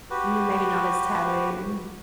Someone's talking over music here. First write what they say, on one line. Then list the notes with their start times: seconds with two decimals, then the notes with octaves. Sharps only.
Mm, maybe not as taboo.
0.11 F#4 G4 B4